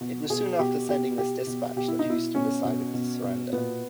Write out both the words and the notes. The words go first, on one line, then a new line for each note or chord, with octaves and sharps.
It was soon after sending this dispatch that Heuston decided to surrender.
B2
B2 G#4
B2 G4
B2 G4
B2 G4
B2
B2 G4
E4
D#4
B2 E4
B2 C#4
B2
B2
B2
A#2 B3